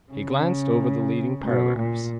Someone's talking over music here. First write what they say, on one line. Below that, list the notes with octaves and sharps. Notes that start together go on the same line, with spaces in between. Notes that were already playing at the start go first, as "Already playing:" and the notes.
He glanced over the leading paragraphs.
C#3
B2
A#2